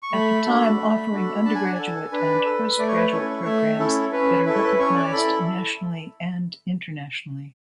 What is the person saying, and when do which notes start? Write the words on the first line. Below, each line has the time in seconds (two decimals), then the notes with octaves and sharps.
At the time offering undergraduate and postgraduate programs that are recognized nationally and Internationally.
0.03 C#6
0.12 A3 B5
0.45 D4 F#4 A4
0.79 A3
1.12 D4 F#4 A4
1.45 D4 A5
1.55 G#5
1.65 F#5
1.75 A4 G#5
2.12 D4 B4
2.45 A4
2.78 A3 D5
2.87 C#5
2.97 B4
3.06 C#5
3.12 C#4 E4 A4
3.45 A3 E5
3.79 C#4 E4 A4
4.12 C#4 B4
4.45 E4 A4 B4
4.54 C#5
4.64 B4
4.79 C#4 C#5
4.95 D5
5.12 E4 A4 B5